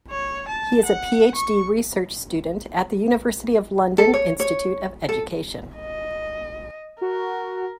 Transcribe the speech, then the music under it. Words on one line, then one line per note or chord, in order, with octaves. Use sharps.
He is a PhD research student at the University of London Institute of Education.
C#5
A5
F#5
C#6
A4
C#5
C#5
A4
D#5
F#4 A#4